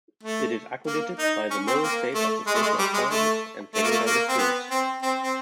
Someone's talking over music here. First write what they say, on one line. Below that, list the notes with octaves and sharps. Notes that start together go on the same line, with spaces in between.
It is accredited by the Middle States Association of Colleges and Secondary Schools.
A3
A#3
D#4
C#4
C4
A#3
A3
G#3
A3
G#3
G3
G#3
A3
A3
A#3
A3
A#3
C4
B3
C4
C4
C4